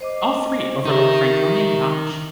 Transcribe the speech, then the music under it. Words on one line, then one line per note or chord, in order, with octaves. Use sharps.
All three overlook Franconia Notch.
C5 D#5 D6
D#4 G4 A#4 E5 C#6